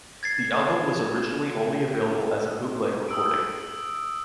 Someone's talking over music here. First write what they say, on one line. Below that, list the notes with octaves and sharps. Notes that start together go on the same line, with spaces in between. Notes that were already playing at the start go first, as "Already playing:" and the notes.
The album was originally only available as a bootleg recording.
G#6 A6 C7
D#6 E6 D7